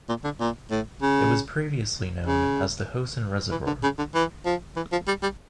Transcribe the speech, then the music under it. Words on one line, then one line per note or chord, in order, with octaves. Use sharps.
It was previously known as the Hosen Reservoir.
A#2
D3
A#2
A2
C#3
C#3
E3
D3
C#3
D3
E3
F3
E3
F3
G3
G3